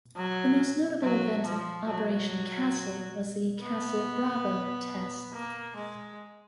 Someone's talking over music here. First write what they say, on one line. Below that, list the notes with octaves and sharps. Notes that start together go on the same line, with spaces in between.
The most notable event of "Operation Castle" was the "Castle Bravo" test.
F#3
F#3
F3
F#3
B3
A#3
G#3